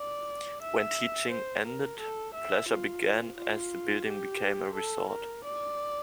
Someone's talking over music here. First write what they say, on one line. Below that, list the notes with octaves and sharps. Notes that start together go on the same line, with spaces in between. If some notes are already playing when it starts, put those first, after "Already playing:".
When teaching ended, pleasure began as the building became a resort.
Already playing: D5
E5
C5
A#4
A4
E5
F4
F4
G4
A4
A#4
D5